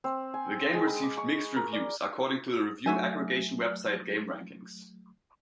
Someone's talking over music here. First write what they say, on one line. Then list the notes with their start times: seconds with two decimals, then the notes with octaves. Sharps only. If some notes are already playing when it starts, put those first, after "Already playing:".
The game received "mixed" reviews according to the review aggregation website GameRankings.
0.04 C4
0.34 G#5
0.73 G#3
0.87 B5
1.03 D6
1.17 C#6
1.56 A#4
1.73 D5
2.86 F#3 A3 F#4 E5 G#5